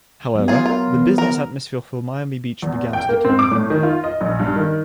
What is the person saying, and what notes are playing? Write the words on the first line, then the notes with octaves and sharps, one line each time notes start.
However, the business atmosphere for Miami Beach began to decline.
F#3 B3
F4 G#4
F4 A#4
E3 B3
A#4
E2
G5
A#3
C4
D6
A2
D#3
F4
D#5
A#1
G2
D#3